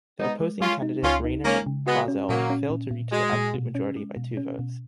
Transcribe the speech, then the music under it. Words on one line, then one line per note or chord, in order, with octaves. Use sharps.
The opposing candidate Rainer Barzel failed to reach the absolute majority by two votes.
G#3 B3 D#4
G#3
G#3 C#4 F4
D#4
C#2 C#4 F4
D#4
G#3 A#3 C#4
C#3
G#3 B3 F#4
C#4
A#2 F#3 A#3
C#4
A#2
A#2
G#3 F#4
A#2
B2
C#4
G#3
B2
C#4
B2